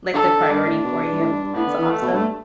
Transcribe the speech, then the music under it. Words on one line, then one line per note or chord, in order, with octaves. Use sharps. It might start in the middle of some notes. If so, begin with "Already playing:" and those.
Like the priority for you. That's awesome.
D3 A4
D3
D3
G2 D4
A2
B2
E2
G2
A2
G2
G2
A2 B3
D3
E3
A3
B2
G2